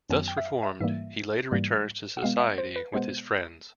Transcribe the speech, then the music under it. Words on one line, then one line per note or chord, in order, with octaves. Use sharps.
Thus reformed, he later returns to society with his friends.
F#2 D#3 F#3 B3 G#5
G5
E5
F5
E5
G#2 E3 G3 A#3 E5
G#2 E3 G3 A#3
F#5
B2 G#3 B3 F5
E5
C5
B4
B2 G#3 B3 C5